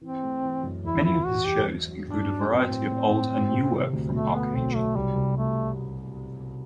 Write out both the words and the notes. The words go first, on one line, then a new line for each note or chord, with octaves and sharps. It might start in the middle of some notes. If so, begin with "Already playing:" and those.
Many of his shows include a variety of old and new work from Arcangel.
E3 C4
A3
E3
F#2
E2 E4
E3 E4
E2 F#4
E2 G4
F#3
F#3
G2 D4
F#3
F#3 C4
A2
A2
A2
F#3
C3
C3
D2
B2 A3
A3 B3
B1 C4
F#3 A3
C2 G3
C2
G3 A3